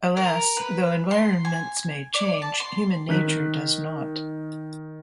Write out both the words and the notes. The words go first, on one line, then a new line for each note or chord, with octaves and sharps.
Alas, though environments may change, human nature does not.
A#4
B4
C6
G#5
D5
A5
C6
D#3 F#6 B6